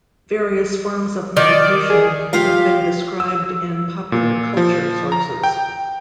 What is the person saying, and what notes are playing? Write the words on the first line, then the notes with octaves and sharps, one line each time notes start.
Various forms of meditation have been described in popular culture sources.
D#3 D5
G#4
F3 F4 G4 F5
E6
A#2
F3
A#5
G5